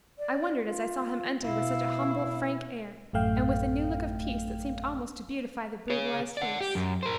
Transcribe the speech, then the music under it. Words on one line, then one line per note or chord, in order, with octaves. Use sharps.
I wondered as I saw him enter with such a humble, frank air, and with a new look of peace that seemed almost to beautify the brutalized face.
D5
F4
B2 E4 F5
A1 F#2 A3 F5 G5
G#4 C#5
D5 F#5
G4
F#2
A#4 C5